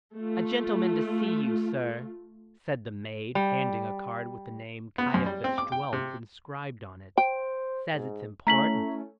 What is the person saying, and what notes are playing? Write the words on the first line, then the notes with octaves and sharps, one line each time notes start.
"A gentleman to see you, sir," said the maid, handing a card with the name Caiaphas Dwelf inscribed on it; "says it's important."
A3 F4
G3
B3
F#2
G3
C4
D6
G5
C3
C5 G5 D7
G#2
A3 C#4 E4 A#5 B6 F#7